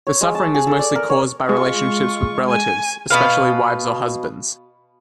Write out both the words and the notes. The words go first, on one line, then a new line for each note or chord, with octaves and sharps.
The suffering is mostly caused by relationships with relatives, especially wives or husbands.
C#5
G#3
A5
G#4
A4
D5
A#4
C#5
G#3 F4 C#6
G#5
B2 B4 F5